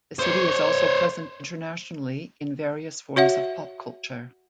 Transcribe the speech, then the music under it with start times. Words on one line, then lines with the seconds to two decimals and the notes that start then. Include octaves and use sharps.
The city is also present internationally in various forms of pop culture.
0.19 C5 C#5
3.16 F#4 C#5 E5 F#5